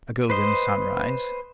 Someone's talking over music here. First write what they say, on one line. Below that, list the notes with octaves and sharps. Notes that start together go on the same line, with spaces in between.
A golden sunrise.
B4 C5 D#5 C6